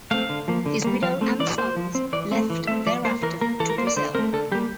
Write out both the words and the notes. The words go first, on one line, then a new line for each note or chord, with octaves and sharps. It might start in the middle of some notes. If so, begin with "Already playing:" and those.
His widow and sons left thereafter to Brazil.
A3 C4 F5
D3
F3 A#3
D3
G3 A#3
F3 F5
A3 C4
E3 D5
A#3 C5
F3
C4
E3 D5
A3 C4
E3
A3 C4 E5
F3 D5
A#3 C5
E3 A#4
A#3 A#4
E3 A4
A#4
A#3 C5
D5
D3 C5
A3 C4 A#4
D3 A4
G3 A#3 G4